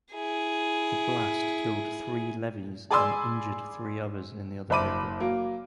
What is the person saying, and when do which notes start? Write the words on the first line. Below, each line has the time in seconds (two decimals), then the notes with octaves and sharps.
The blast killed three Levies and injured three others in the other vehicle.
0.14 E4 G#4
2.91 G#4 D5 G#5 B5 C6 E6
4.70 F#1 C5 E5 B5 D6 D#7
5.20 F#3 A#3